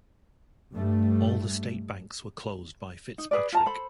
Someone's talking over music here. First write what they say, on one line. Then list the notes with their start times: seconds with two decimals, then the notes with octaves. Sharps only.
All the state banks were closed by Fitzpatrick.
0.74 G2 G3 A3
3.18 D#4
3.31 G#4 B4 D5
3.52 F4 A5 A#5
3.66 A4 C5 B5